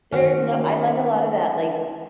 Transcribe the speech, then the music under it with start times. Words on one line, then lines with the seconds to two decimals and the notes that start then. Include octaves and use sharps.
there is no I like a lot of that, like,
0.12 D#3 C#4 F#4